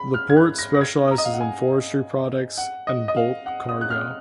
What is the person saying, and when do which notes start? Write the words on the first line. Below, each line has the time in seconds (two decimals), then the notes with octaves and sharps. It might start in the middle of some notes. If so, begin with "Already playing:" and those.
The port specialises in forestry products and bulk cargo.
Already playing: B5
0.14 F6
0.30 G#6
0.37 F#6
0.59 A#6
0.75 A#6
0.81 G#6
1.11 A#5
1.18 D#5
1.25 F5
1.33 F#5
1.41 G#5
2.58 F#5
2.87 D#5
3.08 D#5
3.17 F5
3.46 F#5
3.69 D#6
3.81 F#6
3.90 F6